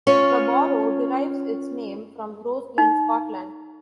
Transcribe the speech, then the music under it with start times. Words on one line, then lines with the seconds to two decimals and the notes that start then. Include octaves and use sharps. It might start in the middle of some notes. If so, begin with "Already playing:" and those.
The borough derives its name from Roslin, Scotland.
0.07 C#4 F4 C#5
2.78 D#4